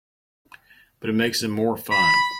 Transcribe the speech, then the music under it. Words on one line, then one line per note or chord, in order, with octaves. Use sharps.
But it makes them more fun!
B5